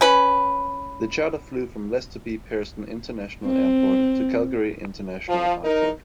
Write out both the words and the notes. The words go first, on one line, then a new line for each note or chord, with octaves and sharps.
The charter flew from Lester B. Pearson International Airport to Calgary International Airport.
C#4 B4
C4
F3
D#4 A#4